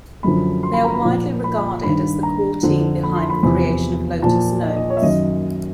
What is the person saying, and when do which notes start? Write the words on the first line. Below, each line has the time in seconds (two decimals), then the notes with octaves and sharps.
They are widely regarded as the core team behind the creation of Lotus Notes.
0.23 F#2 D3 F3 B5
0.63 C6
0.73 B5
0.84 A#5
0.94 B5
1.04 A#2 F3
1.44 B5
1.83 G2 D#3 B5
2.23 A#5
2.63 F2 D3 F3
3.03 B5
3.16 C6
3.30 B5
3.43 E2 C3 F3 B5
4.22 A#2 F3 A5
4.63 D#5
4.76 D#5
4.90 C#5
4.97 E5
5.02 F#2 D#3 D#5